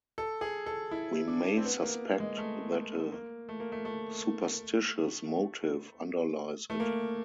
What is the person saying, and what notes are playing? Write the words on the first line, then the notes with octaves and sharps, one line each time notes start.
We may suspect that a superstitious motive underlies it.
A4
G#4
A4
E4
D4
C4
B3
A#3
G#3
A3
A#3
A3
A#3
A3
A3
A3
A#3